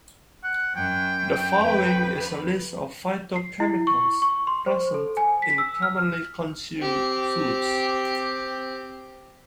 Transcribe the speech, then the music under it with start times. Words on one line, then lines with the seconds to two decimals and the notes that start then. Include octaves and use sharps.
The following is a list of phytochemicals present in commonly consumed foods.
0.44 F#5
0.76 F#2 G5
1.62 F2 B4
3.36 C7
3.60 E4
3.87 C#6
4.22 C#6
4.47 C6
4.66 C5
4.94 A4
5.17 G#5
5.42 B6
5.58 E6
5.82 F6
6.79 C4 G4